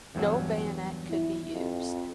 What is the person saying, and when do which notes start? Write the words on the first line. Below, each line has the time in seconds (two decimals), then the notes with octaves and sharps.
No bayonet could be used.
0.15 E2 G2 F#3
1.10 E4
1.54 F2